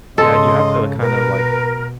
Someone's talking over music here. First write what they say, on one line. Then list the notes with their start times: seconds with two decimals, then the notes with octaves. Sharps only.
Yeah, you have to kinda, like
0.18 G#2 C#3 A4 D#5 C6
1.00 B2 A#4 B4